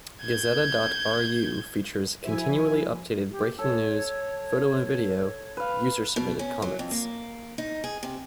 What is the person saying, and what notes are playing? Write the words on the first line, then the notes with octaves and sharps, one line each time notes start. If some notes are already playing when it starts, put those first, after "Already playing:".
Gazeta dot ru features continually updated breaking news, photo and video, user-submitted comments.
G6 G#6
F3 E4 F#4 C5 G#5
G4
A4 C#5
B4 F5
B2
C#4
F#3
F2
A#3
D#4
G#4
C3